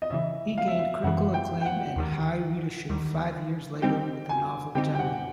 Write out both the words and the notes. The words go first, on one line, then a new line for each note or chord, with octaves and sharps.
He gained critical acclaim and high readership five years later with the novel, "Gentlemen".
D#5
F#2 C#3 E3 E5
F5
E5
F5
F#2 C#3 E3 F#5
G5
G5
F#5
D#2 D#3 G3
D#2 D#3 G3
D3 G3 C4 D#4 G4 G5
G#5
D3 G3 C4 D#4 G4 G5
G5
F#5